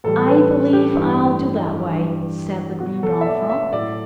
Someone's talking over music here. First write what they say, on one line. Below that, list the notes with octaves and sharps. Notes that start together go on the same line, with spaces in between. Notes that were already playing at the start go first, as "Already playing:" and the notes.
"I believe I'll do that way," said the Green Brown Frog.
A2 E3 G3 A4
B4
G4
G2 E3 G3
G2 E3 G3
B2 F#3 F#4
A4
E5
D5
E5
A2 F#3 D5